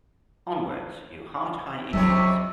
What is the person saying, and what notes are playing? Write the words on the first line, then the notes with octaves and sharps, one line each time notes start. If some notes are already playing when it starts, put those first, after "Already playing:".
Onward you Hart High Indians.
F2 C3 F#3 C#4 C#5 E5